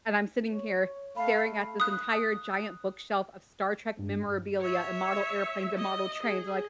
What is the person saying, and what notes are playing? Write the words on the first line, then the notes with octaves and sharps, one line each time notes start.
and I'm sitting here staring at this entire giant bookshelf of Star Trek memorabilia and model airplanes and model trains like,
C#5
A3 F5 B5
D#6 F#6
G2
C#5 E5
D#5
G#4